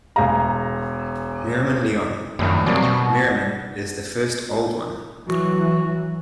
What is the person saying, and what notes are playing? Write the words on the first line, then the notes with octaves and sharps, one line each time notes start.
Merriman Lyon: Merriman is the first Old One.
E1 G#4 F5 A#5
A#1 F#2 A2 D#3
C2 G2 F#3 A#3
B2 C#6 D#6
E3 F#3 F#4